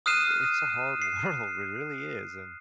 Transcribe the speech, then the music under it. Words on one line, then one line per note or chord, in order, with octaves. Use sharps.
it's a hard world. It really is, and,
D#6 F6 F#6 C7 D#7 E7
C7